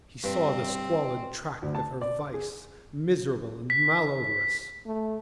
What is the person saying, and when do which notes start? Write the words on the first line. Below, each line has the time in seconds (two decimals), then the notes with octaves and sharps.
He saw the squalid tract of her vice, miserable and malodorous.
0.24 G2 C4
1.62 D2
1.75 A5
2.01 D5
2.34 G#4
3.70 B6
4.86 A3